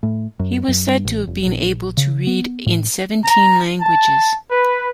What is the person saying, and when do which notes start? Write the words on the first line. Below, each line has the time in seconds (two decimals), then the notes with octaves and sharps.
He was said to have been able to read in seventeen languages.
0.03 A2
0.39 F#2
0.68 F#2
0.87 G2
1.05 A1
1.27 F1
1.46 A#1
1.97 C#3
2.27 B3
2.66 A2
3.24 A#5
3.80 A5
4.51 B4